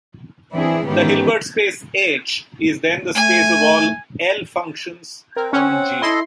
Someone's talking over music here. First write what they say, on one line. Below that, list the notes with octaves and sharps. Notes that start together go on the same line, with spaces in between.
The Hilbert space "H" is then the space of all "L" functions on "G".
E3 C4 D4 E4 G#4
G#2 D#3 E3 B3 C#4 G4
A3 G#5
C4 A#4
C4 C#4 F#5
E4 A4 D#5 C6